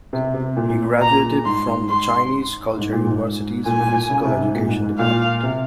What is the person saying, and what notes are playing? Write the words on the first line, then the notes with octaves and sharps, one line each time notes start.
He graduated from the Chinese Culture University's physical education department.
C3
C3
A#2
A#5
G#2 C6
C6
G#2
A#2
G#2
A#2 G#5
A#2
C#3
C3
G#2
A#2
G#2
G#2
A#2 F5
C3